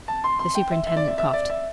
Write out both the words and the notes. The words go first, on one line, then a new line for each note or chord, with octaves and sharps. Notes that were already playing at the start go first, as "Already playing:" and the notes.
The superintendent coughed.
A5
C6
C6
G5
E5
E5
D5
E5
E5
D5
E5